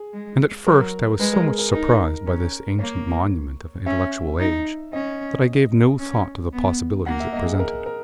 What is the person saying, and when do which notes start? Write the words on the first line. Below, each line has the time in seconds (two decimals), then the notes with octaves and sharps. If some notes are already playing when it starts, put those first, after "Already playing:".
'And at first I was so much surprised by this ancient monument of an intellectual age, that I gave no thought to the possibilities it presented.
Already playing: G#4
0.13 G#3
0.66 F#3 A#4
1.19 G#3 B4
1.33 A#4
1.46 G#4
1.59 A#4
1.73 D#4 A#4
2.26 C#4
2.79 A#3 C#5
3.86 C#4 E5
4.40 D#4
4.93 C#4 D#5
5.99 C#4
6.53 B3
7.06 A#3 F#5
7.20 E5
7.33 D#5
7.46 G#4
7.59 A#4
7.86 A#4